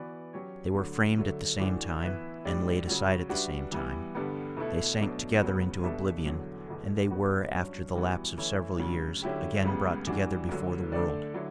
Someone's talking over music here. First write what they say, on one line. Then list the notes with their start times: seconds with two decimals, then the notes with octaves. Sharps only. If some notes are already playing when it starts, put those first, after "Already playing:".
They were framed at the same time, and laid aside at the same time: they sank together into oblivion; and they were, after the lapse of several years, again brought together before the world.
Already playing: E3 B3 F#4 B4 D5
0.33 F#3 C#4 G4 C#5
0.75 D2 D3 F#3
1.18 D3 F#3 A3
1.60 A2 E3 A3 D4 F#4
2.02 E3 B3 E4 B4 E5
2.45 A2 G3 D4 G4 D5
2.87 C#3 F#3 C#4 F#4
3.29 G3 D4 F#4 B4 E5
3.72 E3 G3 B3
4.15 G2 D3 G3 B3
4.57 B2 A3 E4 A4
4.99 B2 F#3 A3 D4
5.42 C#2 C#3 F#3 B3
5.83 B2 G3 D4 A4 E5
6.26 E2 D3 F#3
6.68 E2 B2 A3
7.11 G3 B3 F#4
7.53 G2 F#3 C#4
7.96 E3 G3 B3 F#4
8.37 E3 A3 C#4 E4
8.80 D2 C#3 F#3
9.22 D3 F#3 C#4 E4 G4
9.65 C#2 C#3 G3 B3
10.07 E3 G3 D4 F#4
10.49 D2 D3 F#3
10.92 D3 A3 D4 A4 D5
11.34 D3 F#3 E4